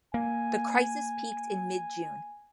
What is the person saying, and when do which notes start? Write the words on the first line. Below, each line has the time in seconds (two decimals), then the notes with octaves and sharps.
The crisis peaked in mid-June.
0.14 A#3 G#5